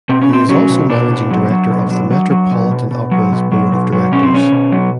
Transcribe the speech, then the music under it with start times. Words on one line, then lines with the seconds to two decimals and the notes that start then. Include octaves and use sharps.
He is also managing director of the Metropolitan Opera's board of directors.
0.09 B2 C4
0.21 C#4
0.29 B2 C4
0.49 F#3 C#4
0.70 B2
0.89 B2 D4
1.10 B2
1.30 F#3
1.50 F#3
1.70 B2
1.91 F#3
2.11 F#3
2.31 F#3
2.51 B2
2.71 B2
2.91 B2
3.11 F#3
3.32 B2
3.52 F#3
3.72 B2
3.92 F#3
4.12 B2 C#4
4.23 C4
4.33 B2 C#4
4.52 B2
4.72 F#3